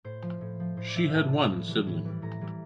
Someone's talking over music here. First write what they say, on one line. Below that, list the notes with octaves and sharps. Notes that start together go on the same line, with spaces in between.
She had one sibling.
A2 C5
F3
A2
F3
A2 C5
D5
F3 E5
A2 A5
F3
A2
E3 G3
A2
E3 G3
A2 A#5
E3 G3